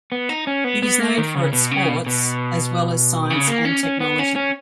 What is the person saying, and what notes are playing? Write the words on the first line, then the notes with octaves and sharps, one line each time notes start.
It is known for its sports as well as science and technology.
B3
D#4
C#4
B3
B3
A#3
D#3
C#3
B2
C#3
B2
B2
C#3
A#3
C#4
C#4
B3
C#4
C#4